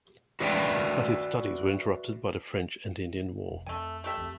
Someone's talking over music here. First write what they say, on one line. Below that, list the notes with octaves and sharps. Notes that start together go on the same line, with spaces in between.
But his studies were interrupted by the French and Indian War.
F#4 B4 D5 E5 F#5 G5
F1
F2 A3 G#5
A3 G4 E5
F2